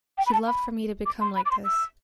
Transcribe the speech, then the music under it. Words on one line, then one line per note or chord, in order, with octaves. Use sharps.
He loved for me to become like this.
G5
B5
A5
B5
D6
C6
B5
D6
C6
E6